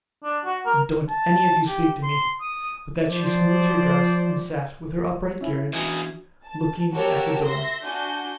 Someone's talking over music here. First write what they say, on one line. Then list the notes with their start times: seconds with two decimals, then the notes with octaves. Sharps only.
And don't any of you speak to me!' With that she smoothed her dress, and sat, with her upright carriage, looking at the door.
0.25 D4
0.46 F#4
0.66 A#4
1.10 A5
1.68 G4
2.03 C6
2.41 D#6
3.07 F3 C5 D5
5.41 C#4 E4
5.73 B2 E3 D4 F#4 G#4
6.44 A5
6.93 F#4 G4 A#4 C#5 A5 E6
7.43 E5 C6 A#6
7.84 D4 F#4 G#5 G6